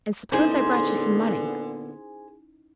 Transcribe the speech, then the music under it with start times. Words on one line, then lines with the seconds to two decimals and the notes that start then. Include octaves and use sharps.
"And suppose I brought you some money?"
0.32 A#2 D3 B3 C#4 D#4 E4 G#4 C5